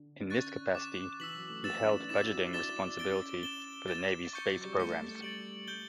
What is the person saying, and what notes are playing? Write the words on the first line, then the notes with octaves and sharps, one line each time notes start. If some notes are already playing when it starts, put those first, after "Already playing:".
In this capacity he held budgeting responsibility for the Navy's space programs.
Already playing: D3
D4
C#4 C#6 F#6 A6
D6 A6 E7
E3 E6 B6 F#7
F#3
A3
B3 E6 A6 E7
C#4
D4
E4 D6 A6 E7
F#4
E4
D4 D6 A6 E7 G7
C#4 A6 D7 G7
A6 E7 G7
A6 E7 G7
C#6 G6 C#7 G7
F#3
G3
A3 C#6 G6 C#7 G7
G3 A6 D7 F#7
A3 G6 D7 G7